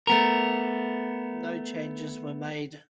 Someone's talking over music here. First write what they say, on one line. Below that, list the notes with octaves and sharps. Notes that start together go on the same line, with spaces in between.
No changes were made.
A3 B3 A#4